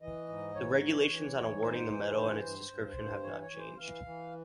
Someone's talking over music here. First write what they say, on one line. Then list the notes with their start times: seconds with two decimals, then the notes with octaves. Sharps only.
The regulations on awarding the medal and its description have not changed.
0.01 E3 D#5
0.28 G#2
0.55 E3 C#5
0.82 E3
1.09 E3
1.36 G#2
1.62 G#2 C5
1.90 E3
2.17 G2
2.43 G2
2.70 G2
2.96 G2
3.23 E3 C#5
3.42 C#5
3.51 E3
3.59 C5
3.77 E3 F5
4.04 E3